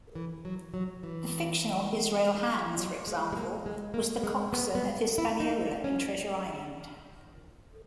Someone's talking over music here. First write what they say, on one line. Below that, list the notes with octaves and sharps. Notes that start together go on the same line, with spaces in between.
The fictional Israel Hands, for example, was the coxswain of "Hispaniola" in "Treasure Island".
E3
F#3
F#3
E3
F#3
G#3
G#3
A#3
G#3
A#3
G#3
B3
B3
E4
D#4
C#4